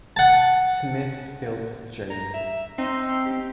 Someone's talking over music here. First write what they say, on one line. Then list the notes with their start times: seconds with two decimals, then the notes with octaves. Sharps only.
Smith built J.
0.16 F#5 A5
2.10 A#5
2.34 E5
2.78 C4 D#4
3.26 G4